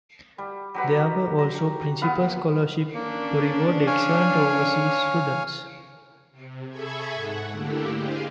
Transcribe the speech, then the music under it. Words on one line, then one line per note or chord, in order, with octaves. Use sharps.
There were also "Principal Scholarship" to reward excellent overseas students.
G3
F#3 G4 B4
A#5
A#2 B3 B4 F5
A#3 C#4 D4
C#5 F5 G#5
C3
G#4 A4 E5 B5 C#6 G#6
G#2 F#5
D3 A3 A#3 D4 E4 G4
G4 G#4 C5 D#5 F5